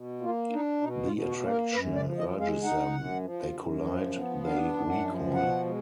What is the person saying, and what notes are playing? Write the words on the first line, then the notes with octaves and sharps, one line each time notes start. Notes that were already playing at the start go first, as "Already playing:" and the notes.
The attraction urges them. They collide, they recoil.
Already playing: B2
A#3 F4
D4 D#4
B2 D#4
F4
B2
F#4
A#3
A#4
F#2 B4
D5
F3
D#5
G#3
F5
D#4 F#5
F#2
F3
F#2
F3
B3
D4 F5
F#2
F#5
F3
B2 F#5
G#3